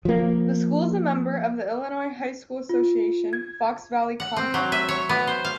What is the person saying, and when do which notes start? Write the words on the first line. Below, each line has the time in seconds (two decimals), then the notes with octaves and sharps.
The school is a member of the Illinois High School Association, Fox Valley Conference.
0.05 F3 A#3
2.69 F4
3.33 G#6
4.20 F#5
4.36 C4
4.54 F#3
4.72 E5
4.89 C#5
5.09 B3
5.27 C5
5.44 F5